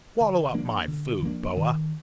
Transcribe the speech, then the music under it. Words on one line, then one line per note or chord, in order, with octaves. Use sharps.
Swallow up my food, boa.
D3
F3 A#3 D4
D3
F3 A#3 D4
D#3